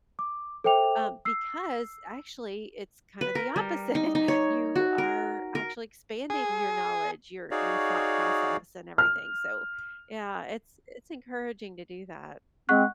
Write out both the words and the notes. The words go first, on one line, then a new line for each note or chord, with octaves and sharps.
um, because actually, it's kinda the opposite, you are actually expanding your knowledge, your your thought process and everything. So yeah, it's it's encouraging to do that.
D6
A4 C5 E5 G5 D6 F7
E6 C7
B4
A#4
G3
D#4
D#4
C#5
F#4
A#4
A#4
G#4
D#4 F#4 G#4 C#5 D5 F5
F6
G#3 C4 F#5 C#6 F#6